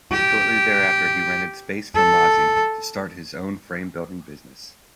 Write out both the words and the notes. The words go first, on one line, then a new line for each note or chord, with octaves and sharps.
Shortly thereafter he rented space from Masi to start his own frame-building business.
G4
A4